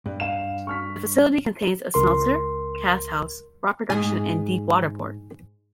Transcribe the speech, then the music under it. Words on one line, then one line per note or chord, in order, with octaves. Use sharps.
The facility contains a smelter, cast house, rod production and deep-water port.
G2
F5 E7
C#6 F6 B6
C#2 A#4 C6
G#2 G#4